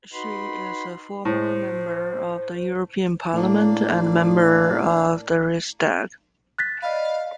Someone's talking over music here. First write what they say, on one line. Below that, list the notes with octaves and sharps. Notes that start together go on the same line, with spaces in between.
She is a former Member of the European Parliament and Member of the Riksdag.
D#4 F#4 B4 B5 C6
A2 C5
A2 A#3 D4
F#6 A6 B6
D5 D#5 F5 B5